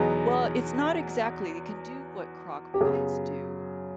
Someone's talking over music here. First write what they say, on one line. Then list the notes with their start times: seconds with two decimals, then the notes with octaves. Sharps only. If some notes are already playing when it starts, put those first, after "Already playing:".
Well, it's not exactly. It can do what crock pots do,
Already playing: E2 B2 F#3 B3 D#4 G#4
2.74 G4
2.81 F#2 C#3 F#3 B3 G#4